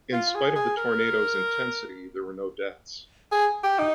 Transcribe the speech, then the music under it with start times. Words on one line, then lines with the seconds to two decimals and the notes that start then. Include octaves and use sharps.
In spite of the tornado's intensity, there were no deaths.
0.13 F4
0.35 G#4
0.56 G#4
0.77 A#4
3.31 G#4
3.63 G4
3.79 D#4